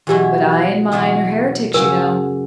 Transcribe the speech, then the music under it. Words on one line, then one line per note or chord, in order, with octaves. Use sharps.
"But I and mine are heretics, you know!"
E2 B2 F#3 B3 E4 G4
E2 B2 F#3 B3 E4
F#2 C#3 F#3 A#4